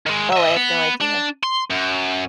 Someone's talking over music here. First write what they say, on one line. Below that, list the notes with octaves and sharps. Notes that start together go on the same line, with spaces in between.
Oh, I have no idea.
D#3 G#3
D#5 E5
B3
D4
C6
F#2